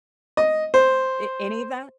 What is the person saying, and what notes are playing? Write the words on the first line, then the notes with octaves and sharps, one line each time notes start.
A any of that?
D#5
C5